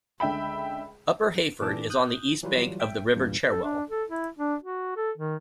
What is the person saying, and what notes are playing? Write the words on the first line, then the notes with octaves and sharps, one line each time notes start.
Upper Heyford is on the east bank of the River Cherwell.
C#2 D3 E5 G5 B5
A#2 E3 D4 A4 A5 D6
D#6 F#6 G6
E3 F#3 G3 F4 B4
E5 G5
E2 G2 A#2
A4
D4
A4
E4
D4
F#4
A4
D#3